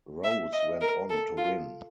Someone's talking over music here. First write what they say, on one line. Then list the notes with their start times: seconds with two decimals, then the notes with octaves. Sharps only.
Rose went on to win.
0.24 E5
0.53 D#5
0.81 A#4
1.10 A4
1.37 F4